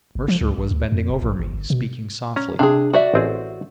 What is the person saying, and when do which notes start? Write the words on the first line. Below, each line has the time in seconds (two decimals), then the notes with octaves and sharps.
Mercer was bending over me; speaking softly.
0.15 G1
0.28 F3
0.41 C#2
0.58 A1
0.71 D2
0.92 F2
1.09 D#1
1.22 A1
1.39 G1
1.53 G1
1.70 B2
2.36 C#4 A#5
2.59 C3 D4 G#4 F5
2.93 F#4 D5 E5
3.14 A1 C4 G#4